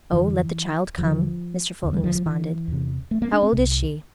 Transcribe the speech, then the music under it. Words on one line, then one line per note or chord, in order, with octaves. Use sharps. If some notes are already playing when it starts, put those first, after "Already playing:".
"Oh, let the child come," Mr. Fulton responded; "how old is she?"
F2 D3 E3
E2 D3 F3
E2 D3
G3
F3
F3
E3
E2 C3
A3
A#3
D4
C4
C2 C3